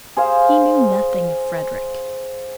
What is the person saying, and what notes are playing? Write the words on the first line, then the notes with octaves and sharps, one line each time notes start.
He knew nothing of Frederick.
G#4 C5 F5